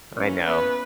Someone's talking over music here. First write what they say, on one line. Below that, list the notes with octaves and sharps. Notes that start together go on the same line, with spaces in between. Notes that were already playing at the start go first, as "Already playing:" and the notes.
I know.
E3 A#3 C#4
B3 B4